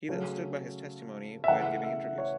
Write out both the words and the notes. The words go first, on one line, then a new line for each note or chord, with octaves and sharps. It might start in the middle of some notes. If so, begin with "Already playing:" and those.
He then stood by his testimony when giving interviews.
C#3 F#3 A3 C#4
E5
C#3 E3 A3 F#5
E5
C#5